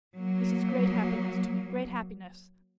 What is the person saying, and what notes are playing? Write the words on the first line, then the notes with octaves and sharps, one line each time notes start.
'This is great happiness to me, great happiness.
F#3 A#3